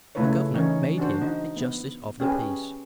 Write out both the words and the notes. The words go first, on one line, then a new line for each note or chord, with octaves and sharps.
The governor made him a justice of the peace.
C#3 A3 E4 F4 B4 C#5
E3 C#4 D#4 A#4 C#5
D4 F#4 C5
D#4
B3
C#4 G4 G#4 B4